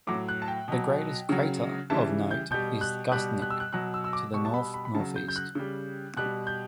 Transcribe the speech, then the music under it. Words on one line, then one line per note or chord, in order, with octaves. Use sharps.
The nearest crater of note is Guthnick to the north-northeast.
A2 F#3 D6
F#6
A5
G5
B2 F#3
C#3 F#3
C#3 E3 G3 A5
G6
B2 G3 G6
F#6
B2 G3 F#6
F#6
E6
F#6
B2 F#3 F#6
E6
E6
D6
B2 G3 C#6
A5
B5
B5
B5
C#3 A5
F#3
G6
G6
F#6
C#3 G3
B2 G3 F#6
G6